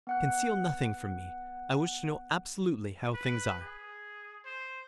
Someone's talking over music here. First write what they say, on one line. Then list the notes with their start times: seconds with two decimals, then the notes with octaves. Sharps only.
"Conceal nothing from me, I wish to know absolutely how things are."
0.07 B3 F#5 F#6
3.14 B4
3.62 G#4
4.45 C5